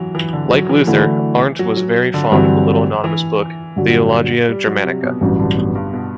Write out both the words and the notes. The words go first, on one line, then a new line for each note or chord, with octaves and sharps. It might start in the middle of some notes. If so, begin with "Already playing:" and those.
Like Luther, Arndt was very fond of the little anonymous book, "Theologia Germanica".
Already playing: E3 F#3
E3
D3
F#3
E3
D3 E3 F#3 A3 E4
F#3
F#3
D3
G2 D3 E3 F#3 C4
E3
G2 D3 F#3
G3
F#3
C3
B2
A1 G2 C3 F#3
D3
B2
G2
B2